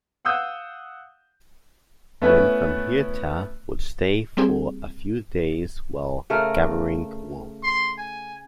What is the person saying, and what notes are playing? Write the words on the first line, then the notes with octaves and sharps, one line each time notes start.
Men from Hirta would stay for a few days while gathering wool.
F5 F#5 D#6 E6 G6
A3 B3 C#4 E4 B4
G3 A#3 C4 G4 G#4
C#3 A3 A#4
C6
G#5